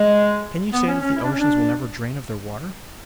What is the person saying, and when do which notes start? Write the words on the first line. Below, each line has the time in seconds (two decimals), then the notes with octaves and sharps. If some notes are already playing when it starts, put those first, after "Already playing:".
Can you say that the oceans will never drain of their water?
Already playing: G#3
0.72 B3
0.87 C#4
1.00 C#4
1.16 E4
1.22 D4
1.31 C#4
1.39 D4